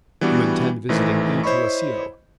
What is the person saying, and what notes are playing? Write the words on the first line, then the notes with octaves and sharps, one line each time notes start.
"You intend visiting Il Colosseo."
E3 G3 B3 D4 F#4
A1 D#3 E3 A3 C5
E4 C5 C#5 D#5 B5 C#6